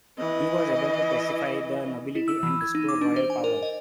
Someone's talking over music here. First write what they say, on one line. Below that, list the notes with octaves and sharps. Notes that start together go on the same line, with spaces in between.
He was able to pacify the nobility and restore royal power.
E3 D#5
E4
E6
E3
G#6
D#4
D6
D4
C5
G#5
A#4
D#5